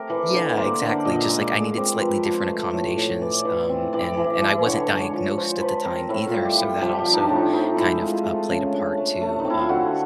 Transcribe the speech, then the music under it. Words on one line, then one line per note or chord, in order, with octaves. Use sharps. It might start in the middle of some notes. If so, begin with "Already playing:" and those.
Yeah, exactly. Just, like, I needed slightly different accommodations, um, and and I wasn't diagnosed at the time either. So that also kind of, uh, played a part too. Um,
Already playing: A3 C4 G4 A#4
E3 D5
D3 D5
A#3 C5
D3 D5
A#2 D#5
G#3
D5
G#3
C4 C5
F3 B4
F3 C5
A3
A2
A2
E3 D5
E3
C4
E3 D5
E3
E3
D3 C#5
G#3
C#5
F3
F3 C5
F3 B4
C4 A#4
A2 E4
F4
G3
G4
G3
F3 G4
G4
F3
D4 D#4
A2
D#4
F3 D#4
G#3 E4
G#3 F4
A3
C#3
D4
A3
A3
C4 D#4
E4
F4
D3 F#4